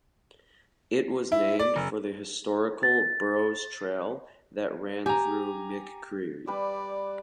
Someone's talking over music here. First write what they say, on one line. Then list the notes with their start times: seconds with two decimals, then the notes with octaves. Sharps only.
It was named for the historical Burrows Trail that ran through McCreary.
1.32 E4
1.59 D5
1.76 F#1
2.83 A6
5.06 G4 G#5 A#5
6.47 G3 B4 D5